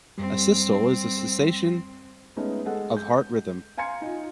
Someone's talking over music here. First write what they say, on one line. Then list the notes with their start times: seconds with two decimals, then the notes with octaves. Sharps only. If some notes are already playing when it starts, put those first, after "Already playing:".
Asystole is the cessation of heart rhythm.
0.18 F#2 G3 C4
2.36 G#3 A3 B3 C#4 D#4
2.65 G#3 A4 F#5
2.97 G6
3.78 F5 G#5 A#5 C6 G#6 C#7
4.02 D#4 F4